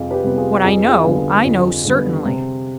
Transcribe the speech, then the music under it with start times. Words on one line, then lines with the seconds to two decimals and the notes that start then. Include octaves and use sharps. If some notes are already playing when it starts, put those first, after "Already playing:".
What I know, I know certainly.
Already playing: F2 C3 G3 F4 G#4
0.11 G4 B4
0.24 C3 G3 B3
0.38 F4 G#4
0.64 F2 G#4
0.77 B4
0.88 F4 G#4
1.04 D3 G3 B3
1.45 F2
1.85 D3 G3 B3
2.25 C3